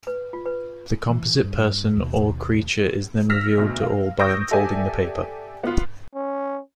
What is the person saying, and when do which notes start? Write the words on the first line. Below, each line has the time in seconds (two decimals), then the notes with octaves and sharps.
The composite person or creature is then revealed to all by unfolding the paper.
0.07 B4
0.33 F4
0.46 B4
1.10 E3
1.44 G2
1.97 D#2 B2
3.30 E6 F6 A#6 B6
3.58 D2 B2
3.82 F5
4.19 C#6 D#6 E6 G6 A#6 D7
4.51 G4 A4 D5 E5 G#5
5.63 B3 F4
6.15 C#4